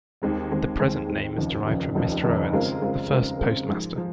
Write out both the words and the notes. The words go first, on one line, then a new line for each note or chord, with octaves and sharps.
The present name is derived from Mr. Owens, the first postmaster.
D#2 D#3 G#3 C4
D#2 D#3 G#3 C4
D#2 D#3 G#3 C4
D#2 D#3 G#3 C4
F1 D#2 C#3 F3
F1 D#2 C#3 F3
F1 D#2 C#3 F3
F1 D#2 C#3 F3
C#3 G#3 C4 F4 A#4
C#3 G#3 C4 F4 A#4
C#3 G#3 C4 F4 A#4
C#3 G#3 C4 F4 A#4
G#2 F3 G#3
F3